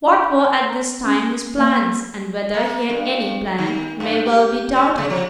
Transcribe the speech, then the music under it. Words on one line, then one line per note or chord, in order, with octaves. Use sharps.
What were at this time his plans, and whether he had any plan, may well be doubted.
B5
C6
A#5
C#4
A#3
A#3
G2
D#3
F#2
G4
C#4
C#3
F3